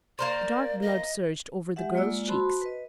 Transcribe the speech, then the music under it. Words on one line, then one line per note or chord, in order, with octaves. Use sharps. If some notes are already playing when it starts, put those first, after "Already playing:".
The dark blood surged over the girl's cheeks.
A#3 A#4 C5 D5
D#5
G#3 G4 E5 F#5
G#3 A#3 F4 D5 E6
F#4 C5 A5 B5 C6
B4 D#5